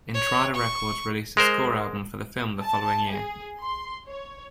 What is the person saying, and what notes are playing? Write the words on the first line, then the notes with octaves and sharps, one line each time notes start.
Intrada Records released a score album for the film the following year.
C#5
C#6
G#3 A#4 C5
A5
G#4
C6
C#5